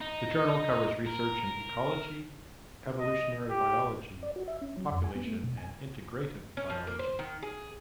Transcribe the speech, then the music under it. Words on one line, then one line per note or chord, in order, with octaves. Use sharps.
The journal covers research in ecology, evolutionary biology, population, and integrative biology.
D#4
A#4
D#5
G4
D5
F#4
E5
C#4
F#3
F2
G#5
B3
A3
B2
G#5
C#4
F3
A#3
C5
D#3
G#4